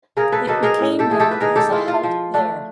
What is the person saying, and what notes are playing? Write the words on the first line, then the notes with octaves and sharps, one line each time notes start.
It became known as a halt there.
C#3 G#4 A#4
A4 B4
F#3 A#3 D#4 A4 B4
G#4 A#4
A2
G4 A4
F3 G#3 G#4
G4 A4
B4
D#3 G#4 A#4
G4 A4
G#3 C4 E4 F4
F4
F3
A3 D4